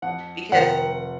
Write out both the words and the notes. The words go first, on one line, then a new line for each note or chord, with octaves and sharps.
because he
F2 F#5
F1 D#3 F#5